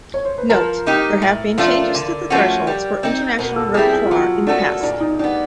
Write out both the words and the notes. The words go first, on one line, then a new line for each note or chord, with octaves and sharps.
Note: There have been changes to the thresholds for international repertoire in the past.
C#5
C5
B4
F3 A#4
A#3 D#4 G4
A2
F3 A3 D4 F4
D3
F3 A3 C#4 F#4
G3
C4 D#4
B2 A#4
A4
A4
G3 C4 E4 G#4
G#4
F4
F#3 F#4
A3 C#4 D4 F#4 A4
A#2 D4
D#4
G3 B3 D4